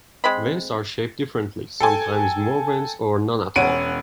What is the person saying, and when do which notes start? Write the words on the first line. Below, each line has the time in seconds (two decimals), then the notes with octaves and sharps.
Vents are shaped differently, sometimes more vents or none at all.
0.24 G#3 C4 B5
1.80 A4 G5 G#5
3.56 E1 C#4 F#5 D7 D#7